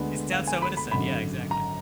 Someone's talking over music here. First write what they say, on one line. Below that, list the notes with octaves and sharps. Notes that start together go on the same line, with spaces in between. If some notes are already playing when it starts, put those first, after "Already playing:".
It sounds so innocent. Yeah, exactly.
Already playing: D2 D3 G#3 B3 D4
F5
G#5
B5
B5
G#1 F#2 D3 B5
A#5